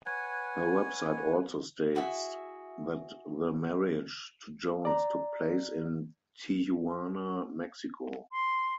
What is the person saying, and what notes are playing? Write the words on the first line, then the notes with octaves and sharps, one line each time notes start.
Her website also states that the marriage to Jones took place in Tijuana, Mexico.
B4 C#5 F#5 G#5
E4 F#4 G#4 E5
D5 A#5
C6